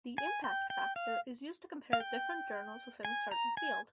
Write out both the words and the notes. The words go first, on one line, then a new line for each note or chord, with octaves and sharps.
The impact factor is used to compare different journals within a certain field.
G#5
G5
G5
F5
F5
G5
G#5
A#5
G#5